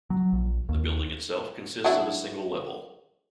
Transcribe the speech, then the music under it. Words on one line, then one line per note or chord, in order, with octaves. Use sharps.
The building itself consists of a single level.
F#3
A#1
D#2
F#3 D4 E4